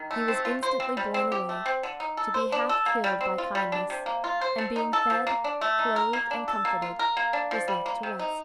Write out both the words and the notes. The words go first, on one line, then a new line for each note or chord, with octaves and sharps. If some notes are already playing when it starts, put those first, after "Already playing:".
He was instantly borne away, to be half killed by kindness, and being fed, clothed, and comforted, was left to rest.
Already playing: D#3
A3
C4
F4
C5
C4
G3
C4
G4
A3
C4
D3
D#4
A4
C5
D4
A4
A#3
G3
C4
F4
G3
D4
C3
A#3
F4
C5
A3
D#4
A4
F3
A#3
D4
A3
D#4
A#4
A#3
D4
A4
A#3
F4
A#4
A#3
D4
F3
G3
A#3
C3
D#4